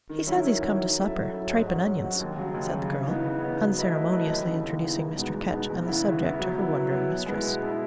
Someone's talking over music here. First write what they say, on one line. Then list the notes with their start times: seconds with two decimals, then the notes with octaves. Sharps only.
"He says he's come to supper: tripe and onions," said the girl, unceremoniously introducing Mr. Ketch and the subject to her wondering mistress.
0.09 D#3
0.26 F#3 C#4 E4
0.45 D#3
0.61 F#3 C#4 E4
0.79 F#3
0.96 C#4 E4 A4 E5
1.15 F#3
1.31 C#4 E4 A4 E5
1.49 G#2
1.67 F#3 C#4 F#4
1.84 G#2
2.02 F#3 C#4 F#4
2.20 D#2
2.36 C#3 F#3
2.54 D#2
2.72 C#3 F#3
2.89 C#3
3.06 E3 B3 D#4
3.24 C#3
3.41 E3 B3 D#4
3.59 F#3
3.77 A3 E4 B4 D#5
3.94 F#3
4.11 A3 E4 B4 D#5
4.29 D#2
4.46 C#3 E3 B3 D#4
4.64 D#2
4.82 C#3 E3 B3 D#4
4.98 E2
5.17 B2 G#3 B3 D#4
5.34 E2
5.52 B2 G#3 B3 D#4
5.69 E2
5.86 C#3 E3 B3 E4
6.04 E2
6.22 C#3 E3 B3 E4
6.39 F#3
6.57 B3 E4
6.74 F#3
6.91 B3 E4
7.08 B2
7.26 G#3 B3 E4
7.43 B2
7.61 G#3 B3 E4